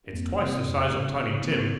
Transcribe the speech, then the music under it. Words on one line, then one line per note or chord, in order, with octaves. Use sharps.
It's twice the size of Tiny Tim.
F2 A#3 C4
C#4
C3 A#3 C4
F2
C#3 B3 C#4
C#3
C#3 A#3 C4